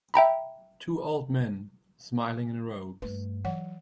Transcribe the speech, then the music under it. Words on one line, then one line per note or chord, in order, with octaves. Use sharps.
Two old men smiling in robes.
E5 G5 A#5 B5
G2 A3 B4
E3 F#3 C#5 F#5